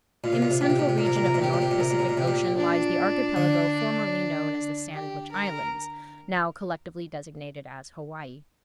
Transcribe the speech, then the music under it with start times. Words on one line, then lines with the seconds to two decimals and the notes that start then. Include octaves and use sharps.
In the central region of the North Pacific Ocean lies the archipelago formerly known as the Sandwich Islands, now collectively designated as Hawaii.
0.24 A#2 F4
0.33 C3
0.42 A#2
0.51 C3
0.61 A#2 G4
0.70 C3
0.79 A#2
0.89 C3
0.98 A#2 A#4
1.07 C3
1.16 A#2
1.26 C3
1.34 A#2
1.41 C3 G4
1.54 A#2
1.62 C3
1.71 A#2
1.80 C3 A#4
1.91 A#2
1.99 C3
2.09 A#2
2.17 C3 G4
2.28 A#2
2.57 D4
3.36 D3
4.92 G4
5.31 A#4